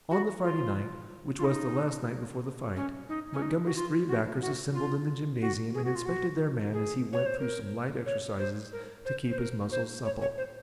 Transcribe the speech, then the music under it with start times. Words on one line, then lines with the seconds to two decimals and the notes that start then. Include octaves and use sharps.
On the Friday night, which was the last night before the fight, Montgomery's three backers assembled in the gymnasium and inspected their man as he went through some light exercises to keep his muscles supple.
0.11 F#4
0.44 F4
1.39 F4
1.44 D#4
2.76 C#4
3.09 D#4
3.33 C#4
3.42 D#4
3.66 F#4
3.76 F4
4.08 F#4
4.42 F#4
4.74 F4
5.41 F#4
5.74 G#4
5.84 F#4
5.95 F4
6.06 F#4
6.73 G#4
7.13 C#5
7.26 C5
7.39 A#4
8.06 C#5
8.39 C5
8.73 A#4
9.05 C5
9.31 C5
9.38 A#4
9.72 C5
10.05 C#5
10.22 C#5
10.37 C5